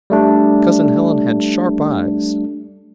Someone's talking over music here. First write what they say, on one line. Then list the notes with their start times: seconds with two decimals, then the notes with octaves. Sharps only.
Cousin Helen had sharp eyes.
0.10 G3 A3 D4